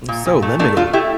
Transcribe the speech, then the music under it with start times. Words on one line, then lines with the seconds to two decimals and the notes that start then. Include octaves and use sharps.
And so limited,
0.09 A#2
0.26 A#2
0.42 A3
0.59 A3 A#3 D4
0.77 A3 D4 F4
0.93 A3 E4 G4